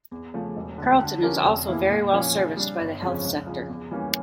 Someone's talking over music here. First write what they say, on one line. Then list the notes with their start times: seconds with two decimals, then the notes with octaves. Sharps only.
Carlton is also very well serviced by the health sector.
0.11 E2
0.34 C#3 F3 A3
0.56 E1
0.78 D2 D3
1.01 D3
1.23 F3 C#4 G4 A#4
1.45 F1
1.68 E2 E3 A#3 E4
1.90 A#2
2.12 F3 A#3 C#4
2.35 C#3
2.57 G3 D4
2.79 G1
3.02 F2 C#3 F3 C#4
3.24 C#2
3.47 C#3 F3
3.69 E2
3.91 E3 G3 A#3 C#4